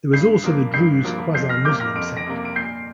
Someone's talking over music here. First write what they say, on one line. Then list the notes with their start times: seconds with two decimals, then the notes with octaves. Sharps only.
There is also the Druze quasi-Muslim sect.
0.13 G2 G6 C7
0.44 F3 A#3
0.73 G2 G6 C7
1.04 F3 A#3
1.34 F2 G6 C7
1.49 F6 A#6
1.65 C3 A#3 D6 G6
1.80 F6 A#6
1.95 F2 D7
2.17 A#6 D7
2.26 C3 A#3
2.45 D7
2.56 A#2 G6 C7